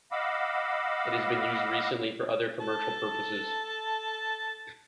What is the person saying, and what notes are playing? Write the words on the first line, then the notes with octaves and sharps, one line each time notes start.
It has been used recently for other commercial purposes.
D#5 F5 F#5 B5 D6 E6
A4 A5